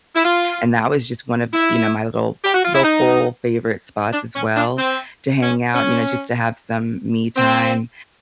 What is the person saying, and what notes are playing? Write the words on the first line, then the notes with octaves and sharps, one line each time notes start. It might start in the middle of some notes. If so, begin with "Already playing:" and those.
And that was just one of, you know, my little local favorite spots as well, to hang out, you know, just to have some me time,
E4
F4
E4
G4
F#4
F4
E4
D#4
D4
C#4
D4
C4
C#4
C#4
C4